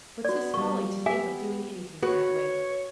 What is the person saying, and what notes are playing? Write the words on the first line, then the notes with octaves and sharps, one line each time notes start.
But 'tis folly to think of doing anything that way.
B3 F#4 D5
G3 A#3 C#6
B3 G4 E5 G#5
F#4 B4 C#5